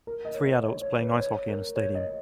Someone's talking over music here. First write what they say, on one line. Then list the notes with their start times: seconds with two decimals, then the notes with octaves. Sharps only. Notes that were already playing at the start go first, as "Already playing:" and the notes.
Three adults playing ice hockey in a stadium.
0.07 A#4
0.25 D#5
0.34 C#5
0.63 C#5
0.81 C#5
1.01 B4
1.20 C#5
1.48 A#4
1.76 C#5
1.95 D#5